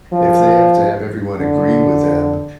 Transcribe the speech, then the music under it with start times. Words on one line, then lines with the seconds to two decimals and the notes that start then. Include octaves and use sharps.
If they have to have everyone agree with them
0.12 F3
1.39 D3